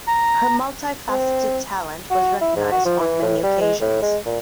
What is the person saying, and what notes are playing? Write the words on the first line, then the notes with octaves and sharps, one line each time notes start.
Her multifaceted talent was recognized on many occasions.
A#5
C4
F#4
E4
G#2
F#4
F3
E3
A2
G3
G#3
A2
G#3
A#2